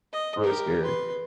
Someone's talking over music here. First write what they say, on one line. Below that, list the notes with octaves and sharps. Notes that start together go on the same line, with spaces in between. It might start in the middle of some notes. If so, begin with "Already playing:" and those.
Really scary.
D#5
G4 A#4
B4 C6